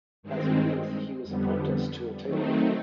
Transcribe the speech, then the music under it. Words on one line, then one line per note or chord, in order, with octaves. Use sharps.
As a youth, he was apprenticed to a tailor.
G2 D#3 G#3 C4
F2 D3 G3 B3
D#3 F#3 A3 C4 D#4